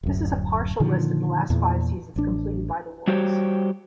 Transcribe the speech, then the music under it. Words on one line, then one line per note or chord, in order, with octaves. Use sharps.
This is a partial list of the last five seasons completed by the Wolves.
D1 F#2
A#2 D3 D#3 F3
E2 A#2
A1 D4
G3 F#4 G4 C5 C#5